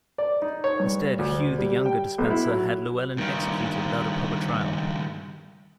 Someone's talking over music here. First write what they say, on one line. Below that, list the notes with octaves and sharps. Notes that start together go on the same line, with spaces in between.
Instead Hugh the younger Despenser had Llewelyn executed without a proper trial.
D5
D#4
C#5
G2
D2
G3
G5
B1
E4
F#3
G2 D#3